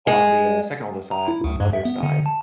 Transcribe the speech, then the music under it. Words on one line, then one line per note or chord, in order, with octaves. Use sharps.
on the, uh, second oldest side, my mother's side,
G#3
A#5
E4
D2
G2
E5
B3
D3
A5